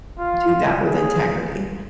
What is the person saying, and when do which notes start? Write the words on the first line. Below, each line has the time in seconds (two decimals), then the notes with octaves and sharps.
do that with integrity.
0.19 F4
0.83 G#4